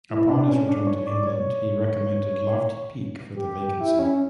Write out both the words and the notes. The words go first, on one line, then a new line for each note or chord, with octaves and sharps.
Upon his return to England he recommended Lofty Peak for the vacancy.
E4
D4
C#4
D4
C#5
D5
C#5
G4
G4
E4
C#4